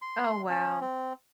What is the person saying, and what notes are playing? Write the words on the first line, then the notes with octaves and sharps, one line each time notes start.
Oh, wow.
C6
C#4
C4